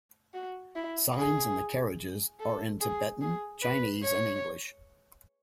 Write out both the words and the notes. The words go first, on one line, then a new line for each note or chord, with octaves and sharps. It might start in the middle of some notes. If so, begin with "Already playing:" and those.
Signs in the carriages are in Tibetan, Chinese, and English.
F#4
E4
G#4
A4
G#4
G#4
B4
C#5